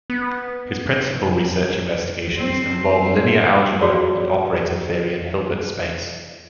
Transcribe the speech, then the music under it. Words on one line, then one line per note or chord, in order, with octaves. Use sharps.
His principal research investigations involve linear algebra and operator theory in Hilbert space.
B3
C4 C5
F4 F#4 G#4 C#5 D5